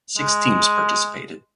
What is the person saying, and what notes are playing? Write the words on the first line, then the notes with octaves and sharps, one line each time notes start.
Six teams participated.
G#3